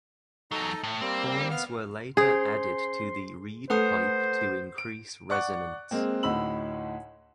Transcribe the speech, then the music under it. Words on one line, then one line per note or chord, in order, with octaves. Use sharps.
Horns were later added to the reed pipe to increase resonance.
E2 F#3 D#4 A4 D#5
A2
G3 A#3 C4
B3 F5 F6
C#4 G#4 C5 C6
A3 B4 C5 F#5 D#6
D7
D5 F#5 C#6 F#6
G#3 A#3 C4
D2 A2 D#4 B5 E6 F#7